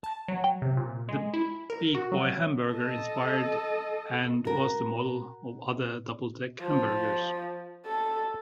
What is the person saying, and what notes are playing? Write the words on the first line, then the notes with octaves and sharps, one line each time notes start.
The Big Boy hamburger inspired and was the model for other double deck hamburgers.
A5
F#3
C3
A#2
G#3
E4
A#4
F#4
F#3
A4 D#5
F#4 A#4
F3
A4